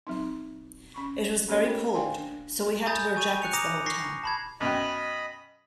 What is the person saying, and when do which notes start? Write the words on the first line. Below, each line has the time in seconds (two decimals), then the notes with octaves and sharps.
It was very cold so we had to wear jackets the whole time.
0.07 F#3 C4 D#4
0.94 C#4 B5 C#6
1.48 A#3 C#4 G4 A4 C#5 D#5
1.65 A3 E4 A#4 B5
1.94 C5 D5 F5 G5 G#5 C6
2.18 D4
2.86 G#5 A#5 B5 D#6 G6 A6
3.16 G#5 C#6 D#7
3.42 F#6 C#7 F7
3.53 A#5 D6 D#6 A#6 F7
3.86 C#6 A#6 C7
4.23 A5 B5 G#6
4.60 F#2 B2 D#5 G5 B5